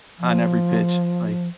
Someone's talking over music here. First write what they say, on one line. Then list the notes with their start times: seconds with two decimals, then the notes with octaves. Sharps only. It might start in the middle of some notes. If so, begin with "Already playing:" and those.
on every pitch, like,
0.19 F3